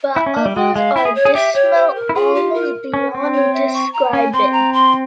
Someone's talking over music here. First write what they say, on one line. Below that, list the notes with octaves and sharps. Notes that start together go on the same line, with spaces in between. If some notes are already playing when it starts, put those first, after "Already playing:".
But others are dismal almost beyond describin.
E4 E5
C#4
A#3 E5
G3
G#3 G5
G#3 F5
E4 E5
G#4
C#5
G#4
G4 E5
G4 C#5
C5
A#4
E4
F4 G#4
G4
A#4
C#4
C4
C#5
E5
C#6
A#5
C#4 G#5
C4 C6
A#5
C6